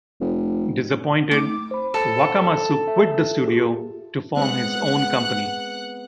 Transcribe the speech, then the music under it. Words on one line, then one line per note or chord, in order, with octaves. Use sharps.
Disappointed, Wakamatsu quit the studio to form his own company.
F1
A3 C4 D#4 D6
C5 B5
A4 A5
E5
F4 G4 G#4
G#3 B3 C4 F#5 F#6